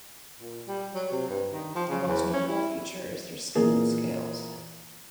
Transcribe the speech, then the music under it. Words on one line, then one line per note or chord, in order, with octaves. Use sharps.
Their most notable feature is their skin and scales.
A#2
G3
F#3
C3
G2
D#3
F3
C#3
E2
C#4
E4
A#2 E3 A#3 G#4